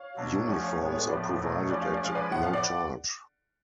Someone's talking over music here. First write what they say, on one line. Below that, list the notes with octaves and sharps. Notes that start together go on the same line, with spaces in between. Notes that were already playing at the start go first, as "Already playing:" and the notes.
Uniforms are provided at no charge.
Already playing: C#5 F5
B2 F#3 B3 D4
F3 A3 C#4 D5 F#5
C#5 F5
A2 G#3 B3 A4 C#5
A4 C#5
B4 D5
A2 F3 B3 B4 D5
B2 F#3 A3
F3 A3 C#4 D5
F5
D5
F3 G#3 C#4 F5
B4 D5
A2 F3 B3 F#5
F5
D5 F#5